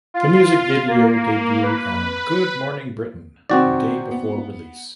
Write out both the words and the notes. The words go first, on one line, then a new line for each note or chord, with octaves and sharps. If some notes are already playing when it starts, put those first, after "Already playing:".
The music video debuted on "Good Morning Britain" the day before release.
F4
A#3
B4
C3 D#3 C4 F#4 D5
B3